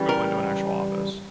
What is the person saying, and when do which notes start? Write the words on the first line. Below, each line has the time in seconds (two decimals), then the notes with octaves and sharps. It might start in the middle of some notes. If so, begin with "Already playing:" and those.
go into an actual office?
Already playing: C#3 E3 G3
0.09 A#4